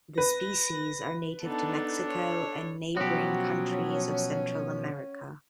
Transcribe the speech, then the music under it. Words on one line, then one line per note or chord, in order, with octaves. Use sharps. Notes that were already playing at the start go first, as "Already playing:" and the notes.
The species are native to Mexico and neighboring countries of Central America.
B4 A#6
B3 D4 D#4 A4
C#5
B2 F3 F#3 C#4 F#4 G4